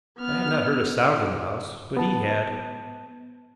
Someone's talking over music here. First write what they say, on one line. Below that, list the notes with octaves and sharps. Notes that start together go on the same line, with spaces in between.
I had not heard a sound in the house, but he had.
B3 F6
B3 A5